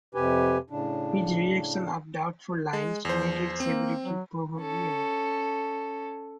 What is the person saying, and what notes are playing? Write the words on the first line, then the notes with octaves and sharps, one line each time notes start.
His rejection of doubtful lines made his severity proverbial.
F2 C3 G4 B4 G#5
A2 C#3 D4
G#3
E2 F3 C5
A#3 C4
F#3
C#4 A4